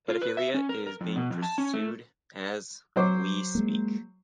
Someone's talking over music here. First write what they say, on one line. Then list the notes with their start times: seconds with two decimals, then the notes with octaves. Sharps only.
Pedophilia is being pursued as we speak ...
0.09 F4
0.21 B4
0.37 E5
0.54 C#4
0.69 A#4
0.87 A#4
1.01 F2
1.16 B2
1.30 F2
1.42 A5
1.58 C#4
1.73 A3
2.96 F#3 C5 D6
3.55 G#3 A#3